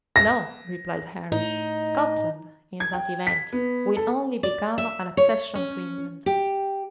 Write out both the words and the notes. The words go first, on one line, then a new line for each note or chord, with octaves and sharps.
"No," replied Henry, "Scotland, in that event, will only become an accession to England."
A#6
A2 D#4
G#6
G5
B6
B3
A4
D5
E5
C#5
C#4
G4